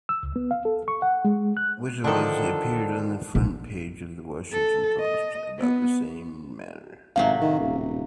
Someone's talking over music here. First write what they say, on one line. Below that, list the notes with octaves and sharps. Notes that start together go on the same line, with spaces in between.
Witteles appeared on the front page of The Washington Post about the same matter.
E6
C#2
B3
F5
A4
C#6
F#5
G#3
F#6
D3 D#3 F3 D4 A4
A#1
A4
D#5
B3
G#1 A2 C3 F#3 F5
D#3
D#1